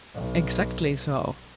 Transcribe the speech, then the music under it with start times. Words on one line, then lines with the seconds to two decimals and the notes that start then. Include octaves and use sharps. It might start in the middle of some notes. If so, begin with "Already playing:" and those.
"Exactly so."
0.14 B1